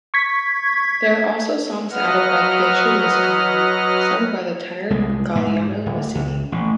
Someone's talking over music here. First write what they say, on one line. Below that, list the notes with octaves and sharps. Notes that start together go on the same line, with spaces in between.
There are also songs added by Pietro Mascagni, sung by the tenor Galliano Masini.
C#6 G#6 B6
F#3 B4 D#5 F#5 F6
C2 G#3
G#2
D1
C#2
A1